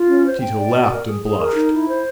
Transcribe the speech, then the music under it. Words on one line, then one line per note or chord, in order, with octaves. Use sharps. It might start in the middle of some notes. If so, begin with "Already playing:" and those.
Tito laughed and blushed.
Already playing: F4
C#4
C5
G5
D5
F#4
A#4
G#4
G#4
A#4
D#4
E4
C5